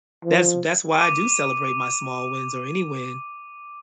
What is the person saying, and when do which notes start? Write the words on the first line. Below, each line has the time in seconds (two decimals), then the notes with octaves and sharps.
that's that's why I do celebrate my small wins or any win
0.25 F3
1.01 D6 D#7